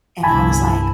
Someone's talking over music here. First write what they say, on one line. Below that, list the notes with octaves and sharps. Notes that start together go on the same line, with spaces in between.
And I was like,
G1 C2 E4 G#5 A5 B5